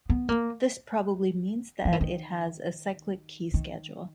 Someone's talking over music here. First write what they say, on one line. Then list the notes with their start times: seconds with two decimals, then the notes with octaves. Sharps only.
This probably means that it has a cyclic key schedule.
0.09 B3
0.29 A#3
1.85 F3
1.92 E3
2.01 D#3
3.54 D#3